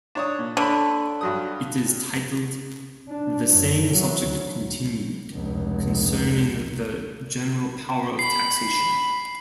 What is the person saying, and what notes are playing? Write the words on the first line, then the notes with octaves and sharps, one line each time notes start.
It is titled, The Same Subject Continued: Concerning the General Power of Taxation.
D4 C#5 D#6
A#2
D3 C#5 B5
G2 F#3 D#6
D4
F#2
E3 F#3
D2
F1 C#2
B5 C7